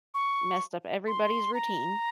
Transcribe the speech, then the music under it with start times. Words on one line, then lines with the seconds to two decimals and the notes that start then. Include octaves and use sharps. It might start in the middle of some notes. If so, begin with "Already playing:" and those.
messed up everybody's routine.
0.14 C#6
1.07 C6
1.54 A#5